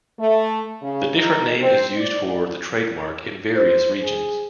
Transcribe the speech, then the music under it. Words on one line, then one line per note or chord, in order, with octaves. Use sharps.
The different name is used for the trademark in various regions.
A3
C#3
D#4
C4
D5
C5
G#4